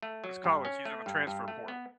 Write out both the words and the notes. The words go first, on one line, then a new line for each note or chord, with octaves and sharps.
“this college; he's in the transfer portal."
A3
F#3
G2
C#4
A3
G2
G2
A3
B3